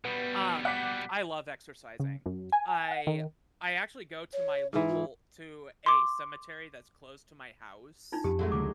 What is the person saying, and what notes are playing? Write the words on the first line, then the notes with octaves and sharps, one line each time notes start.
Um, I love exercising. I I actually go to my local to a cemetery that's close to my house.
B2 G3 B3
F#5 D6 B6
C#3
F#2
G#5
F#5
D#3
C#5
G#2 E3 D#4
F4
C6 D6
D4 D#4 F4
F2 G4
F#3 G#3 A3
D2 C#3 G3 D6